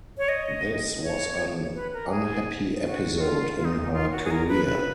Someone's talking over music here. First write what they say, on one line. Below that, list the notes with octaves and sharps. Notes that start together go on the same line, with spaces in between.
This was an unhappy episode in her career.
C#5
D#5
C#5
B4
A#4
G#4
G#4
F#4
F#4
F4
F4
D#4
D#4
F4
F#4
G#4
A#4
B4
B4